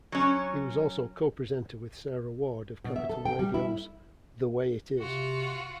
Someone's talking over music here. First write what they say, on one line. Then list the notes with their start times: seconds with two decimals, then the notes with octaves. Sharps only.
He was also co-presenter with Sarah Ward of Capital Radio's "The Way It Is".
0.12 F#3 C#4
2.84 B2
2.96 E5
3.09 A4
3.25 G5
3.39 G3
3.54 E4
4.98 C3 F4 F#4